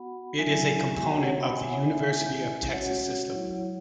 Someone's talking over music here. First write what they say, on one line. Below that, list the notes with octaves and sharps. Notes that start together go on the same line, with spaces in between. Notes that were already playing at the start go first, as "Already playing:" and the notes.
It is a component of the University of Texas System.
Already playing: B3 F#4 F#5 B5
F#3 C#4 E4 E5 G#5
G#3 B3 F#4 E5 G#5
C#5 F#5
C#5 F#5
F#5 B5
B3 E4 E5 G#5
C#5 F#5
E5 G#5
E5 G#5
G#3 C#4 E4
G#3 C#4 F#4 C#5 F#5
F#3 E4